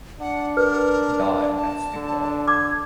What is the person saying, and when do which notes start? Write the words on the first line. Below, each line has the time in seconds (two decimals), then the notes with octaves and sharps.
He died at Stuttgart.
0.20 D4 F#5
0.57 A#4 B4
1.56 A5
1.95 D3
2.48 D6 G#6